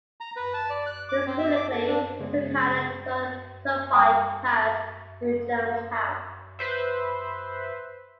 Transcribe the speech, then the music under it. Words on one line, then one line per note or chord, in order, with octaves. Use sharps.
Historically, the Susquehanna and Tioga Turnpike passed through Jonestown.
A#5
B4
A5
D5
F#6
D6
C4
E5
D6
A4
D4
C#3 G#3
G5 G#5 A#5 D#6
B4 C5 E5